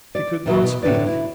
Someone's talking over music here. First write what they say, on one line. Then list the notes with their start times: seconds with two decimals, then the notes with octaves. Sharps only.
She could not speak.
0.15 D5
0.46 A#2 E3 F#3
0.62 B2
0.83 A2 D3 B4 D5
1.06 E4